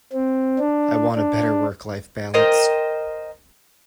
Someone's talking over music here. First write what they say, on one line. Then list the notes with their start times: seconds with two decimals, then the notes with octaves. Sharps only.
I want a better work-life balance.
0.13 C4
0.59 D4
1.15 D4
2.34 A#4 C5 D#5 G5